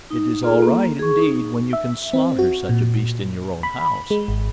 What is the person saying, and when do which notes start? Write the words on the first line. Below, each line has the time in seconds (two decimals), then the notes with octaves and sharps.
It is all right indeed when you can slaughter such a beast in your own house.
0.10 D#4
0.43 A#3 F4 G#4 A4
0.62 A#3
0.99 G#4 C#6
1.19 D#4
1.73 E5
2.13 C4
2.39 F#4
2.69 A#2
3.63 B5
4.11 G#3
4.28 G#1